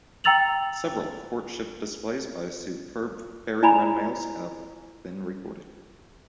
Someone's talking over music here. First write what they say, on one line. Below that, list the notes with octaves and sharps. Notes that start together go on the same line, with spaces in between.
Several courtship displays by superb fairywren males have been recorded.
G5 A#5 E6 A6 F7 F#7
E4 D5 G#5 A#5 B5